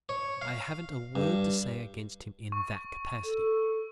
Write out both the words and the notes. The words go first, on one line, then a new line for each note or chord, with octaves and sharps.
I haven't a word to say against him in that capacity.
C#5
F5
G2
C#6
A4